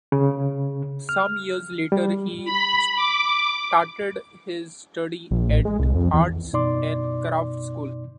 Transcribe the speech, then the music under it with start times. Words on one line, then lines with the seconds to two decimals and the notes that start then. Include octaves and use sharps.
Some years later he started his studies at Arts and Crafts School.
0.12 C#3
1.09 F6
1.92 G3
2.45 B5
2.96 D6
5.31 A#1
5.49 A1
5.65 G#3
5.79 C2
5.95 F2
6.13 E2
6.53 F#2 B2 D#4 D5 C6 D6